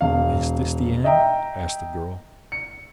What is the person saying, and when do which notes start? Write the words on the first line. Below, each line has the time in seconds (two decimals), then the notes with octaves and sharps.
"Is this the end?" asked the girl.
0.01 E1 F5
1.04 D#5 E5 G5 A#5
2.52 C#7